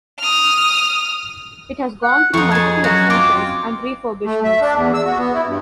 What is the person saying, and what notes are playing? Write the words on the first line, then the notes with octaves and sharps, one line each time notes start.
It has gone through multiple extensions and refurbishments.
D#6 F6
F#5
F2 D#4 C#6
G#4 G#5 A5
F#2 F#4
C4 F4 D6
A3
E5
D4
E2
E6
F#4
B3
E4
G2